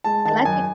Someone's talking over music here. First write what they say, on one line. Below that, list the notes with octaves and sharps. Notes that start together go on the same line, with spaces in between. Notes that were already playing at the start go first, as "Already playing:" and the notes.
And I think
G#3 A5
D#3 A5
F#2 G#5